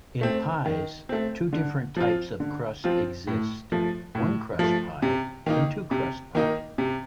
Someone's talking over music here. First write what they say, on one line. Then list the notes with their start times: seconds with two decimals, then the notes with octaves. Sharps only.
In pies, two different types of crust exist: one-crust pie and two-crust pie.
0.21 A3 C4
0.66 D#3
1.09 A3 C4
1.53 D3
1.96 F3 C4 F4
2.40 D3
2.84 F3 C4 F4
3.27 A2
3.72 F3 A3
4.15 A2
4.59 F3 A3
5.02 C3
5.46 D#3 A#3 D#4
5.91 C3
6.35 D#3 A#3 D#4
6.78 C3